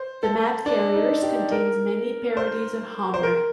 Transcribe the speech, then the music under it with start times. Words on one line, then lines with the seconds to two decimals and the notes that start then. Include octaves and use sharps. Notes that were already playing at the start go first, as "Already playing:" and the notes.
The "Mat-Carriers" contains many parodies of Homer.
Already playing: C5
0.23 A4
0.66 D4
0.94 D#4
1.23 G4
1.51 A#4
2.37 C5
3.14 C5
3.23 A#4